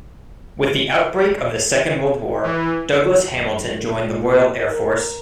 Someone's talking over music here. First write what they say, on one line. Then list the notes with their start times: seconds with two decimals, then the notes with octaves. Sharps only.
With the outbreak of the Second World War, Douglas-Hamilton joined the Royal Air Force.
2.43 E3
3.30 F#2
3.80 A#2
4.57 A#4